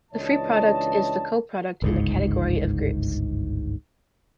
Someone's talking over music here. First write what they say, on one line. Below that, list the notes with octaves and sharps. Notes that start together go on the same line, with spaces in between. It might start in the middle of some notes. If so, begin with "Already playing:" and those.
The free product is the coproduct in the category of groups.
C#2 E3 D4 C#5 D#5 A5
G1 C#2 G#2